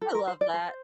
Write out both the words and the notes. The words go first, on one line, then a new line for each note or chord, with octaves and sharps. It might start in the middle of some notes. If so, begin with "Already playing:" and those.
I love that.
A4
A#4
C5
D5
C5